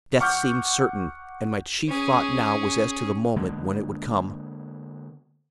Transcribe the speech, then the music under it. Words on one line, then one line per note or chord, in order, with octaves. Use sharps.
Death seemed certain, and my chief thought now was as to the moment when it would come.
F#5 C#6 D6 F6 G6
C#4 G#4
D3 G#3 A#3 B3